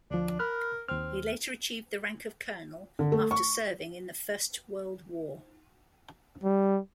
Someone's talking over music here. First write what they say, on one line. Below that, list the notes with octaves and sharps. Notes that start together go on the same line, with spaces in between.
He later achieved the rank of colonel after serving in the First World War.
D2 F3 D4
A#4 B5 F6 F#6
D#2 C4 F6
D3
A3
C#6
G3